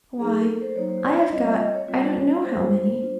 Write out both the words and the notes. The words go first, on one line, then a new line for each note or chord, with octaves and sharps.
Why, I have got I don't know how many.
F#3 A#3 D#4 G#4
A4
A#4
A4
C5
F#3 A#3 D#4 C#5
C5
D5
C#5
G3 C4 F4 D#5
E5
D#5
C#5
G3 C4 F4
G3 A#3 D4 F4 C5
G3 A#3 D4 F4